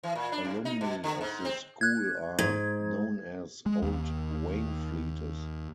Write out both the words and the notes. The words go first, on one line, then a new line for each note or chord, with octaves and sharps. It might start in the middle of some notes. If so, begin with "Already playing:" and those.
Alumni of the school are known as "Old Waynfletes".
E3
A#2
D4
G2
D#4
B2
D3
G#2
C4
F#6 G#6
G#2 G#6
G#3
D#2